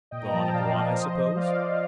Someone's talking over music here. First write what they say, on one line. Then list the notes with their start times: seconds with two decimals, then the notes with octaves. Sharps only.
"Gone abroad, I suppose?"
0.11 A#2 D#5 G5
0.23 A#5
0.33 F3 A5
0.44 G5
0.54 A#2 D5 F5
0.74 F3
0.95 F3 C5 D#5
1.17 F3
1.37 F3 D5 F5